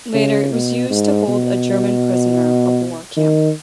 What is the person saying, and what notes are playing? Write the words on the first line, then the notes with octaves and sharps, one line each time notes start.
Later it was used to hold a German prisoner-of-war camp.
C#3
B2
G#2
B2
D#3